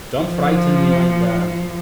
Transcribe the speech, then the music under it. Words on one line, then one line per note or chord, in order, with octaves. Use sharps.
Don’t frighten me like that!
F3